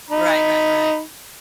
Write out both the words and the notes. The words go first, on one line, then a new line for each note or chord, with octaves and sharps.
Right, right, right.
D#4 B5